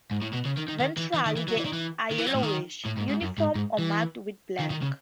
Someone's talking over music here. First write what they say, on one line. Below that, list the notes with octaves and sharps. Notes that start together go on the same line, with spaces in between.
Ventrally they are yellowish, uniform or marked with black.
G#2
A2
B2
C#3
D#3
D#3
D#3
E3
E3
D#3
E3
F#3
E3
D#3
E3
D#3
E3
F#3
A2
D#3
A2
G#2
G#2
F#2
G#2
G#2
E3
D#3
D#3
C#3